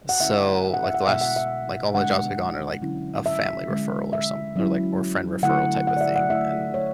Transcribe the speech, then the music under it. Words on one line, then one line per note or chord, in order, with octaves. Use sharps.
so, like, the last like, all the jobs I've gone are, like, a family referral or some, or, like, or friend referral type of thing, and,
F#5
D3 A3 C#4 E4 E5
F#5
E5
F#5
B2 G#3 B3 E4 E5
F#5
E5
D3 G#3 D4 F#5
D3 F#3 C#4 E4
E5
D3 G#3 C#4
E5
F#3 C#4 E4
D3 A3 E4 F#5
F#5
D5
E5
F#5
F#3 A3 E4 E5
C#5